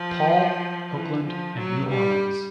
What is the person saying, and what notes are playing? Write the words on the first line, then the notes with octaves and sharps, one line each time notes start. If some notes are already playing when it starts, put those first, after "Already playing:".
Paul, Oakland, and New Orleans.
Already playing: F3
E3
F3
F#3
G3